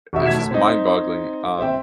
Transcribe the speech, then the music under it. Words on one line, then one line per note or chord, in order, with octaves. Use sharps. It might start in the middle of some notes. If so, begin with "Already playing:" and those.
it's just mind-boggling, um,
G#1 B2 E5
F#2 A3 G#6 B6 E7
C4 D#4
C4 E5 G5